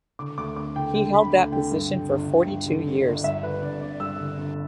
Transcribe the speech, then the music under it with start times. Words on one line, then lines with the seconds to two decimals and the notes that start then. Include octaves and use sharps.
He held that position for forty-two years.
0.19 D3 D6
0.38 D2 D6
0.57 D2 D6
0.76 D3 G5
0.95 D3 G5
1.14 D2 B5
1.33 D2
1.52 D3 G5
1.71 G2
1.90 D3
2.10 G1
2.29 G1
2.47 G2
2.67 D3
2.86 G1
3.05 G1
3.24 G2 E5
3.43 D3 B4
3.62 G1 D5
3.81 G1 D5
4.00 G2 E6
4.19 D3
4.38 G1